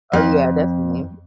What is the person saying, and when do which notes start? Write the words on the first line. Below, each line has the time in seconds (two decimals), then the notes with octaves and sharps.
Oh, yeah, definitely.
0.13 F2